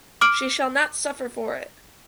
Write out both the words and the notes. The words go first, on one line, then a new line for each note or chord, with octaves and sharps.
She shall not suffer for it!
D6 F6 D7 F#7